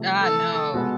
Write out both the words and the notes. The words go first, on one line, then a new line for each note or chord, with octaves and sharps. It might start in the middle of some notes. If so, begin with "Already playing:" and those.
Ah, no.
Already playing: C3 F3 A3
A4
B2 G#3 B3